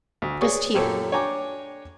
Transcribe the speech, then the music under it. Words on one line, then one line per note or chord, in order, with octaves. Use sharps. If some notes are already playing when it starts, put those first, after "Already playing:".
Just here.
D2
G#4 B4 C#5 D5 C#6 D#6
F#2 A#2 G4 A4 C#5
D4 C#5 G5 G#5 A#5 D6